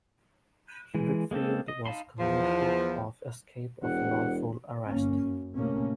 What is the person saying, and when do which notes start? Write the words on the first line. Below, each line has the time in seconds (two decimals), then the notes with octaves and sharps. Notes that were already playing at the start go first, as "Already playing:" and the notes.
Whitfield was convicted of escape of lawful arrest.
0.95 E3 G#3
1.31 G#3 A#3 C4 A4
1.68 D#5
1.86 D#4 F5 A5 B5 C6
2.19 E2 F3
3.82 E1 C3 F#5
4.88 G1 A#3 C#4
5.22 F#2
5.56 A2 C3 A3 A#3 C#4